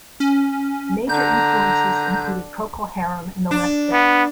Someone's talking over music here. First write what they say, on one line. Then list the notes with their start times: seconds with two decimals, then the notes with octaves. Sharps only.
Major influences included Procol Harum and The Left Banke.
0.20 C#4
1.09 D3 A#5 G6
3.51 D4
3.92 B3